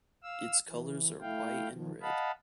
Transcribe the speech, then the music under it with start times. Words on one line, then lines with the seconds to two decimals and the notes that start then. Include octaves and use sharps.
Its colors are white and red.
0.23 F5 E6
0.68 E3
1.21 A3 E4 F5 G5
1.70 D#3 F3
2.02 D#5 F5 F#5 A5 B5